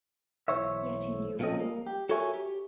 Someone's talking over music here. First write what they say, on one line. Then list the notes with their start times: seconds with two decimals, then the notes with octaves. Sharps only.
Yet he knew all.
0.48 B1 E3 C5 C#5 E5
1.39 A#2 D#3 F3 C4 C#4 D#5
1.60 A#3
1.87 G4
2.09 F#4 A4 A#4 C#5 E5 G#5
2.34 G4